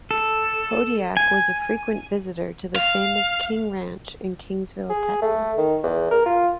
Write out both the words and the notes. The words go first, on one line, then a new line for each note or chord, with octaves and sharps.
Hodiak was a frequent visitor to the famous King Ranch in Kingsville, Texas.
A4
G#5
F5
G#4
A3
D#3
E2
A#4
F4